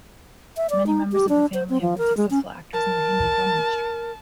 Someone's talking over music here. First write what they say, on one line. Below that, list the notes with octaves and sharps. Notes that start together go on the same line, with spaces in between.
Many members of the family have been successful actors in the Hindi film industry.
E5
D5
D#4
G4
D4
C5
C4
F3
A#4
G#3
C#4
A#4 A5